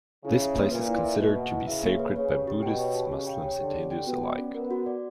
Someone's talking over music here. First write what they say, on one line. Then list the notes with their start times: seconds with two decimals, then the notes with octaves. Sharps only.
This place is considered to be sacred by Buddhists, Muslims and Hindus alike.
0.24 C#3 E4
0.40 E5
0.56 A#3
0.71 A#2 B4
0.88 E4
1.04 E5
1.19 B2 A#3
1.36 B4
1.51 E4
1.67 C#3 E5
1.83 A#3
1.99 B4
2.15 C#3 C#5
2.31 G4
2.47 G4
2.63 B2 G5
2.79 C#5
2.95 G4
3.11 C#3 G4
3.27 G5
3.43 C#5
3.59 D3 G4
3.75 G4
3.91 G5
4.06 B3 F#4
4.23 D5
4.39 C#4
4.54 B3 A#4
4.71 F#4
4.86 D5